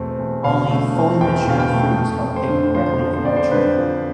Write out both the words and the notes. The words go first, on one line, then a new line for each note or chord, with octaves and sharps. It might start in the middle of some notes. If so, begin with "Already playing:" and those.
Only fully mature fruits are picked directly from the tree.
Already playing: E2 B2 A3 C4
E2
B2 F5
A3
C4
E2 G5
B2 F5
G5
A3
F2
F2
C5
D3
F3 C5
F2
C5
F2 D5
C5
D3 B4
F3